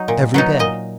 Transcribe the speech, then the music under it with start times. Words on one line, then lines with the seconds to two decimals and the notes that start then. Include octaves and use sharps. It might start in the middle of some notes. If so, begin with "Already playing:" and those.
'Every day.
Already playing: F#3 D#4
0.08 A#2
0.34 F#3 B3 D#4
0.59 A#2 D#5